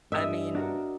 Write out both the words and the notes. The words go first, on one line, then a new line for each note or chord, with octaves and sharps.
I mean,
G2 D#5 E5 D#6
D4 F#4 A#4